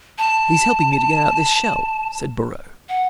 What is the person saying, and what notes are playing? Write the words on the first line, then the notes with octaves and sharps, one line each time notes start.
"He's helping me to get out this shell," said Borrowe.
A5
F#5